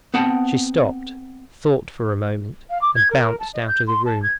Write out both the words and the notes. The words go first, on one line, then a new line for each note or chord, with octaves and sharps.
She stopped, thought for a moment, and bounced out of the room.
B3 C4 F#5 G5 A5
F5
D6
G#6
A#4
A5
D#5
G6
C6
A5
G#6